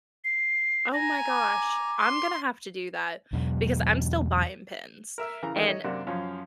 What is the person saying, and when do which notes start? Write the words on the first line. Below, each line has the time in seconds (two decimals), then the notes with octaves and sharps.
Oh my gosh. I'm gonna have to do that because I'm still buying pins and
0.25 C7
0.94 G#5 A#5 A#6
1.29 D6
1.99 C6
3.33 E2 B2 F#3
5.18 A#4 E5 E6
5.43 C#3 E3 A#4 A#5
5.56 A1 D#3 A3 D4 E5 G5
5.68 C#5 D#5
5.84 F#2 C3 A#3 D4 F#5
6.07 F#2 F3 C#4 F5